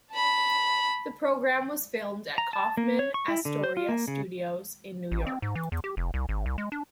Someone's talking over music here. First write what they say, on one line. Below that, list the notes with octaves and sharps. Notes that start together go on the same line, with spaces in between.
The program was filmed at Kaufman Astoria Studios in New York.
A5 B5
A#5
A5
A#3
C#5
C#6
E4
D3
C5
F4
A#3
C#3
A1
C4
G#2
E3
E2
G4
F1
C2
G#1
C2
G#3
D4